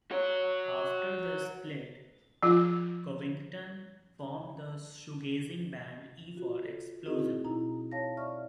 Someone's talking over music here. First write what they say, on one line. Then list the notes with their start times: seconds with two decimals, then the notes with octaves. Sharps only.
After the split, Covington formed the shoegazing band E for Explosion.
0.11 F#4 C#5
2.43 F3 F4
6.35 F4 F#4
6.64 A4
7.05 C4 D#4 E4 F#4 G#4 D#5
7.44 B2 D#4 E4 A#5
7.92 C#5 F5 A5 A#6
8.17 D5 E5 C#6 F6